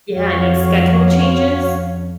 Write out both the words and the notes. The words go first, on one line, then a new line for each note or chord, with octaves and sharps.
Yeah, I mean, schedule changes,
F2 F#4 C#5 F5